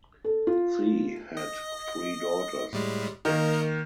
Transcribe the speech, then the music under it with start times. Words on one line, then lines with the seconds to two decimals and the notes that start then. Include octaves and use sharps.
Tsi had three daughters.
0.24 A4
0.47 F4
1.37 D#5
2.73 A2 G3 G#3
3.25 D#3 A#3 A#4 D#5